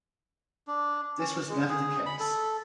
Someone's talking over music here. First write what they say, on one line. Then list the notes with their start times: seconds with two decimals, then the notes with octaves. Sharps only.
This was never the case.
0.67 D4
1.19 C#4
1.49 G#3
1.69 G#4
2.06 B5
2.20 A4